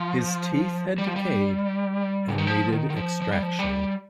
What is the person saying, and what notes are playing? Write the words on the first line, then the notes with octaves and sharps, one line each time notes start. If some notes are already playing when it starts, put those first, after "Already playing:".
His teeth had decayed and needed extraction.
Already playing: F3
G3
F3
G3
C#3
D#3
F3
D#3
D#3
F3
F3
G3
F3
G3